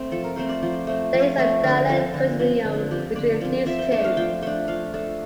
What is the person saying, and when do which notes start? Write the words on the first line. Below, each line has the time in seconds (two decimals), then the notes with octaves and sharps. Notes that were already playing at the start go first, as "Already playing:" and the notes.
There is a dialect continuum between these two.
Already playing: A3 C4
0.11 F3 A4
0.24 A#4
0.36 A3 C4 C5
0.49 D5
0.63 F3 C5
0.87 A3 C4
1.13 F3
1.38 A3 C4
1.64 D3 A#4
1.89 F3 C4 A4
2.14 D3
2.40 F3 C4
2.65 D3
2.91 F3 C4 G4
3.15 D3 D5
3.41 F3 C4
3.66 F3 E5
3.79 G5
3.92 A3 D4 A5
4.04 F5
4.17 F3 G5
4.42 A3 D4 G5
4.68 F3 F5
4.94 A3 D4 A4